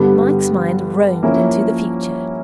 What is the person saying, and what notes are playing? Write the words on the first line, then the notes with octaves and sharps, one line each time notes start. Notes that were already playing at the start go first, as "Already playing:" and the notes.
Mike's mind roamed into the future.
Already playing: G2 D3 G3 B3
F3 A#3 C#4 E4